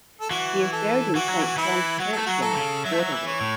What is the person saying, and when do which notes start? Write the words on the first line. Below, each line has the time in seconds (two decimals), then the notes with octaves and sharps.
He is buried in Saint John's Church-yard, Waterloo.
0.21 A4
0.30 E3 F#4
0.73 A4
1.15 E3 F#4
1.28 F#3
1.42 E3
1.57 E3 E4
1.99 F#3 F#4
2.13 A3 A4
2.26 F#3 F#4
2.42 A4
2.52 E3
2.56 C#3
2.85 F#3 E5
2.92 A3
2.99 F#3
3.12 E3
3.27 C#5
3.41 A2